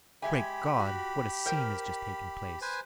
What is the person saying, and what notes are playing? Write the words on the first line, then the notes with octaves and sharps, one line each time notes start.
Great God! what a scene has just taken place!
G#3 G4 E5 G#5 B5
F#4
A#4 C5 G5
B4 C5 G#5